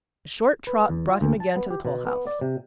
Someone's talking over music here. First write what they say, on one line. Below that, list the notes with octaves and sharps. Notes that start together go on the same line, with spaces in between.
A short trot brought him again to the toll-house.
B4
E2
F4
D2
A5
B3
G4
B2
B3
D5
C3